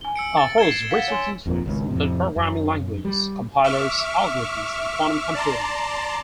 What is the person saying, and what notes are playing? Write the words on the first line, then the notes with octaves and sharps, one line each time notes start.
Aho's research interests include programming languages, compilers, algorithms, and quantum computing.
G#5 G7
E6 C#7 D7
A6
G#6 A6 C7 E7 G7
F5 F#5 B6
C#5 G#5 C6
G1 F2 A#2
G#1 C#2
F2 A2 C3
F#2
G3
E5 C#6 D6 F6
D5 A5 A#5 C6